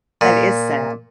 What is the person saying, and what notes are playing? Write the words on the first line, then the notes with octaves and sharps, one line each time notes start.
That is sad.
A#2